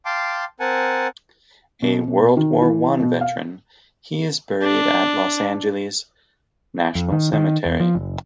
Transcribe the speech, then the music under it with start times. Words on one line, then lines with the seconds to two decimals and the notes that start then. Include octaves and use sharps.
A World War One veteran, he is buried at Los Angeles National Cemetery.
0.05 F5 G5 A5 C6 D6
0.60 C4 A#4 F#5 G#5 A5
1.82 B2
2.08 B2
2.37 D#3
2.62 E3
3.00 B2
3.21 F5
4.63 D4
6.95 F2
7.12 D#3
7.33 D#3
7.65 E2
7.80 F3
7.95 F#1